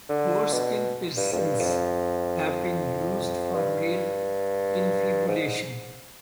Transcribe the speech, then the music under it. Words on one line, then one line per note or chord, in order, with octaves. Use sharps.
Foreskin piercings have been used for male infibulation.
D3
B2
G2
F2
G2
F2
G2
G#2